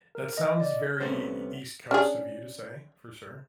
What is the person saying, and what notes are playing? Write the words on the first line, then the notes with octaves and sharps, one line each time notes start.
That sounds very E E East Coast of you to say, for sure.
A#4
D#5
D5
C2 C3 A3 B3 C#4 C5
C#4 D4 G#4